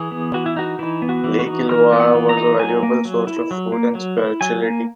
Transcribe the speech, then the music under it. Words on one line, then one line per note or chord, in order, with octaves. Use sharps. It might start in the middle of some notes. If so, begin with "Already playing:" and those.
Lake Illawarra was a valuable source of food and spirituality.
Already playing: E3 G#4
B3
E3 F#4
E4
D#4 F#4
E3 E4
B3
F#4
E3
F#4
D#4
E3 A#4
B3
F#5
E3
A#5
D#4
F#3 G#5
A#3
F#3
E4
F#3
A#3
F#3
E4
F#3 G#5
A#3